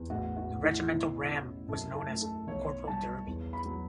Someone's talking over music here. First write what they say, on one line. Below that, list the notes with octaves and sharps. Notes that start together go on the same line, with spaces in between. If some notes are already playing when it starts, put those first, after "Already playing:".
The regimental ram was known as "Corporal Derby".
Already playing: E2
A1 F#4
F#4
A1
E4
B2 E4
C#4
F#2 A4
A4
A3
A4
B1 C#5
G3 A5
E2
B5
F#3